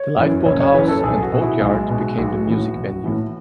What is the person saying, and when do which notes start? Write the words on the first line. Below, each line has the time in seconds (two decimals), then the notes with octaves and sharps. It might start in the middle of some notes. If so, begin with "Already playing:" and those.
The lifeboat house and boat yard became the music venue.
Already playing: C#5
0.17 F#2 E3
0.46 F#1 C#5
0.60 C#5
0.74 F#2 E3 B4
0.88 A4
1.03 B1 G#4
1.22 F#4
1.32 B2
1.41 E4
1.60 B1 G#3
1.89 B2
2.17 B1 F#4
2.47 A2 E3
2.76 B1
3.04 A2 E3